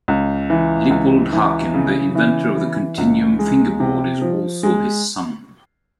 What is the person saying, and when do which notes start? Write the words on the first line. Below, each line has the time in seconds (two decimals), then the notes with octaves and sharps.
Lippold Haken, the inventor of the Continuum fingerboard, is also his son.
0.08 C#2
0.50 E3
0.90 C#2
1.32 E3
1.74 C#3
2.15 E3
2.56 E3
2.98 C#2
3.39 G#3
3.80 C3
4.22 F3
4.63 G#3